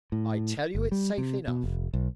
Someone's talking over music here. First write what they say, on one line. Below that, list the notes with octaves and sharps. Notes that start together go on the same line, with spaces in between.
I tell you it's safe enough.
A2
G1
G3
C3
B2
F1
B1